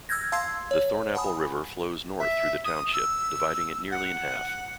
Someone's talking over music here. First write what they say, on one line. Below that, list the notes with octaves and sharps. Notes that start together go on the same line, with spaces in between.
The Thornapple River flows north through the township, dividing it nearly in half.
E6 F6 G6 G#6 A#6
F5 A5 C6 E6 G#6 C7
C#5
F#5 G#5 A5 B5 D#6
E5
D#6
E6
F#5